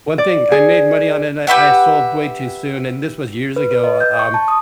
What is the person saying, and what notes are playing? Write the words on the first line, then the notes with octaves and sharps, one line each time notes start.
one thing I made money on, and I I sold way too soon, and this was years ago um,
D5
G#4
G4 B4 E5 F#5
B4
B4
D#5
G6
C#6
A5
D#6